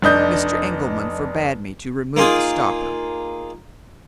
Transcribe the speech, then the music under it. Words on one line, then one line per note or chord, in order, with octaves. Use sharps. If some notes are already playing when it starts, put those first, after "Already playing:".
Mr. Engelman forbade me to remove the stopper.
F1 D4 D#5 G6
A#3 D#4 F4 G#4